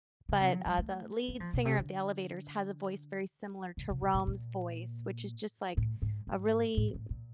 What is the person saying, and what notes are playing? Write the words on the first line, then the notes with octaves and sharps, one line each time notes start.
but, uh, the lead singer of The Elovators has a voice very similar to Rome's voice, which is just, like, a really
C#3
C3
F#3
G3
A3
A#3
F3
B2
C3
D3
C#3
C3
C3
A#2
A#2
A2
G#2
G#2
A2
A2
A#2